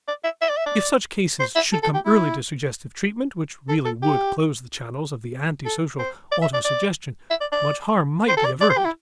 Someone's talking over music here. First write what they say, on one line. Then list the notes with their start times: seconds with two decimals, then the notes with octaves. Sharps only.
If such cases should come early to suggestive treatment which really would close the channels of the antisocial autosuggestion, much harm might be averted.
0.08 D5
0.24 E5
0.41 E5
0.49 D5
0.57 E5
0.66 D5
1.40 C5
1.56 E5
1.73 A4
1.83 A4
1.94 G4
2.06 E4
3.69 A4
3.85 A4
4.02 G4
5.66 A4
5.99 C5
6.32 D5
6.42 E5
6.54 D5
6.65 D5
7.30 E5
7.41 D5
7.52 D5
8.28 C5
8.37 A4
8.45 D5
8.61 D5
8.70 C5
8.77 G4
8.85 E4